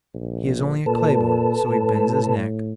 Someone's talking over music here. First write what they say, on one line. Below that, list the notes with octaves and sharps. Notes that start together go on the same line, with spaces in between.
He is only a clay-born; so he bends his neck.
A#1
A#2 A4 B4 A5
A2